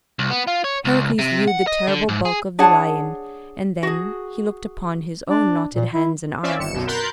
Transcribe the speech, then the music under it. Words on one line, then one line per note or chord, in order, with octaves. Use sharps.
Heracles viewed the terrible bulk of the lion, and then he looked upon his own knotted hands and arms.
C2
B3
F4
C#5
C#2
C3
F#5
D#5
D3
G#2
G#4
D4 G#4 C#5 F#5 A5
F#4 G#4
D4
A#2
E4
C4 C#4 F4 D5 E5
G1 C#7 E7
B1 F#2 B2
A#4 B5 C6 F#6 G6 A6